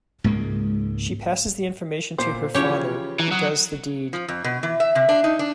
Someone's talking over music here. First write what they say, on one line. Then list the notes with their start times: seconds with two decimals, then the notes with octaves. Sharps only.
She passes the information to her father, who does the deed.
0.24 C#2 G#2 G#3 A#3
2.18 A#2 C5 D6 C7
2.55 C#3 E3 F3 C#4 G4 C#5
3.20 E3 A#5
3.31 F#3 D#6 F#6
4.13 F3
4.28 F2
4.44 B2
4.63 E3
4.80 E5
4.95 C3
5.09 D4
5.24 D#4
5.39 D4